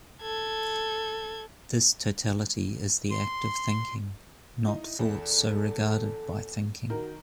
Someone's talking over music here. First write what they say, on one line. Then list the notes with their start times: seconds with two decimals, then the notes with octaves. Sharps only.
This totality is the act of thinking, not thoughts so regarded by thinking.
0.23 A4 G#6
3.11 C6
4.68 D#4 E4
4.99 E2 A4
6.90 D#3 F#4 A#4